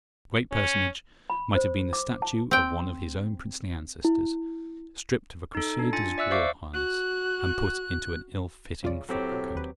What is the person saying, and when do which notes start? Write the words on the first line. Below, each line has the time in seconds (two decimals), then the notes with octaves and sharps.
The great Personage might have been the statue of one of his own princely ancestors stripped of a crusader's war harness, and put into an ill-fitting frock coat.
0.52 C#4
1.30 B5
1.55 C5
1.93 D6
2.22 A5
2.51 C4 G5
4.05 E4
5.55 D#4 A4
5.79 D4
5.93 F4 G#5 A6 C#7
6.18 D5 E5 E6 F#6 C#7
6.31 C5 D5 E5 F5 C#6 D6
6.74 F#4 F#6
8.83 C2 C#3 F4 D5
9.09 A2 F#3 C4 G4
9.32 B2
9.55 D#2 B4